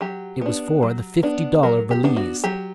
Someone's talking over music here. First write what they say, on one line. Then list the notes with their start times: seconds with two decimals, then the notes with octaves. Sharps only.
It was for the fifty-dollar valise.
0.01 F#3 G4
0.41 B3 D4
0.83 F#3
1.23 B3 D4
1.63 F#3 A#4
1.91 G4
2.04 B3 D4
2.17 F#4
2.44 F#3 G4